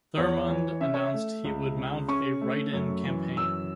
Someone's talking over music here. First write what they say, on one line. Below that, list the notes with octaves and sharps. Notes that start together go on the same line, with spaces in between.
Thurmond announced he would mount a write-in campaign.
E2 C#5
E3
C#4 E5
C#5
E5
A3
C#2
C#3
C#4 C#6
A3
F#2
E3
F#2 E6